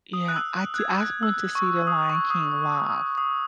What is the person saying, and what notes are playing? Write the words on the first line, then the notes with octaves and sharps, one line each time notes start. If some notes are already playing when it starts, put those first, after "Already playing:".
Yeah, I did I went to see the Lion King live.
D#6
F#6
E6
F#6
F#6
G#6
F#6
E6
C#6
D#6
C#6
D#6
D#6